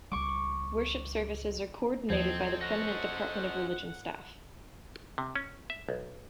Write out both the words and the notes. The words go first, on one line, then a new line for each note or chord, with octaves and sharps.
Worship services are coordinated by the permanent Department of Religion staff.
C#2 G3 C#6 D6
D#2 F3 C4 A4 C5 D#5 G#6
C#4 F#4 F#5 A#6
C3
C#4
E5
B1